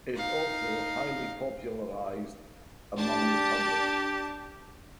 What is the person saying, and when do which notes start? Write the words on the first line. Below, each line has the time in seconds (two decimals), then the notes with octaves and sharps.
It also highly popularized among the public.
0.14 D#4 F5
2.98 D4 G4 A5